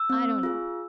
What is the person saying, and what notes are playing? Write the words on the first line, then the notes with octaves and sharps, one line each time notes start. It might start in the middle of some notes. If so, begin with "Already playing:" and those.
'I don't know.
Already playing: E6
C4
F4 G#4